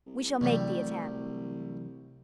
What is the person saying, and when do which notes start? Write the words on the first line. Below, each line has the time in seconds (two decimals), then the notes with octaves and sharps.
We shall make the attempt.
0.06 C2
0.41 D2 A2 C3 E3 F#3 G3